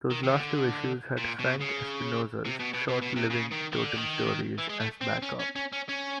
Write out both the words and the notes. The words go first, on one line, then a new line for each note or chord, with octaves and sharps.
Those last two issues had Frank Espinosa's short Living Totem stories as back up.
D#3
D#3
D3
A#2
B2
C#3
C3
B2
B2
B2
B2
C3
C#3
D#3
D#3
D3
D#3
E3
G#3
A3
C4
C#4
C#4
C#4
C#4
C#4